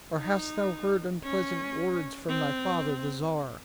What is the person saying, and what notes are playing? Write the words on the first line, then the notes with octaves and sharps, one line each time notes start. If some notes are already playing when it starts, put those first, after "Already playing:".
"Or hast thou heard unpleasant words from thy father the Tsar?"
D#4
C#4
C4